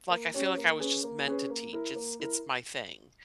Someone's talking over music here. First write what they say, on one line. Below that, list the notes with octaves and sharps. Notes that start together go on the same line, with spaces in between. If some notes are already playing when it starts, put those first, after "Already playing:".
like, I feel like I was just meant to teach it's it's my thing.
A#3
C#4 G4 C#5
A#3
C#4 G#4 B4
A#3
C#4 G#4 B4
A#3
E4 A#4
A#3
E4 A#4